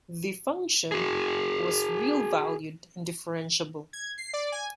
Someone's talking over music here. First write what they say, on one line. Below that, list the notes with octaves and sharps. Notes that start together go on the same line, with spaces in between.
The function was real-valued and differentiable.
F#4 G#4
G#6
C7
D5
G#5